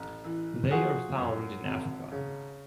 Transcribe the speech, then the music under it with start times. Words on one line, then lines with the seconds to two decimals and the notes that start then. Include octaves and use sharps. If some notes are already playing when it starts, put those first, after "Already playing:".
They are found in Africa.
Already playing: A1
0.24 E3
0.71 F3 F#4 G#4
1.18 F#2
1.65 G#1
2.12 C#3